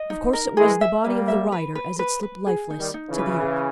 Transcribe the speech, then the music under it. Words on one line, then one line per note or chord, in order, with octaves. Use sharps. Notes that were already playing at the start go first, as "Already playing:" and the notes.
Of course it was the body of the rider as it slipped lifeless to the earth.
Already playing: D#5
D#4
A#4
E3 G#3 G#4
E5
G3 A#3 B4
E5
B4
B4
B4
B4
G#4
D#4
D#3 G3
D#4
C#3 E3
B4
G#4